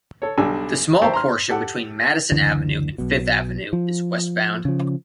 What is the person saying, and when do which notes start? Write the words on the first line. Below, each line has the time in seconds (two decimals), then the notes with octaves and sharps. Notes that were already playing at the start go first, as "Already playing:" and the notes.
The small portion between Madison Avenue and Fifth Avenue is westbound.
0.22 A4 C#5
0.38 B1 G3 D4 G#5 E6
1.02 C5 E5 G5 A5 A#5 C#6
1.13 A#5 C6 F6
1.49 G4 A4 F#5
2.32 F#1 D2 D3 E3
2.98 B1 B2
3.73 F3
4.65 C#3 F3